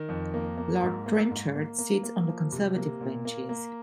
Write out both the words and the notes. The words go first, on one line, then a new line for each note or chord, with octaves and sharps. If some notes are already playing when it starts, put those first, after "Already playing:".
Lord Trenchard sits on the Conservative benches.
Already playing: D#3
F2
A#3
A#3
G#2
A#3
G#2
A#3
A#3
A#3
F3
C3
A#3
A#2
A#3
A#3